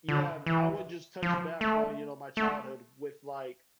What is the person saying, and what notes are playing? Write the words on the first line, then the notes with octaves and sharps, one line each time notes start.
yeah, b I would just touch back on, you know, my childhood with, like,
D3
E3
F3
A3
A3